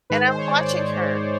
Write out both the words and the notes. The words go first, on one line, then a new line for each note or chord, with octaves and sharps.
And I'm watching her
G#2 D#3 G#3 B4
C5
C#5
G#2 D#3 G#3 D5